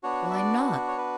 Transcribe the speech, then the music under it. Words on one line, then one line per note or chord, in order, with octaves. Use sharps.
"Why not?"
B3 D4 F#4 C#5
E5
D5
C#5
B4